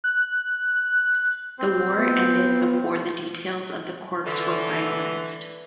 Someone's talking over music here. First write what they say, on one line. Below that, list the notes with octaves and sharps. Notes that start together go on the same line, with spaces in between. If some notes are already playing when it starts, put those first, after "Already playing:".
The war ended before the details of the corps were finalized.
F#6
C4 C5
B3 F4
D3 E3